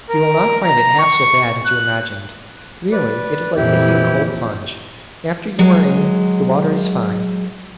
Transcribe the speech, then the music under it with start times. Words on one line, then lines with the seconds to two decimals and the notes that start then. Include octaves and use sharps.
You will not find it half so bad as you imagined; really, it is like taking a cold plunge: after you are in, the water is fine.
0.10 A#4
0.64 A#5
0.99 C#6
1.66 F#6
2.92 B4 D5
3.56 F2 A#2 E3 E4 G4
5.59 F#3 G#3